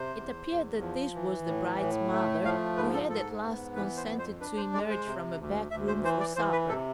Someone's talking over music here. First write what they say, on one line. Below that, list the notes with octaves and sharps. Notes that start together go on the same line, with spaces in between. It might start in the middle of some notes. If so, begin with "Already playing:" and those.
It appeared that this was the bride's mother, who had at last consented to emerge from a back room for supper.
Already playing: C3 C5
E2
E2
F3
E3
A2
A2
A3
F3 F5
G#2 B4
A4
G#2 A4
B3
E3 B4
C5
F2
C5
D4 B4
C5
G#3 D5
C5
C3
D2
D2 E5
C5
E3 C5
D5
E3 C5
B4
C3 A4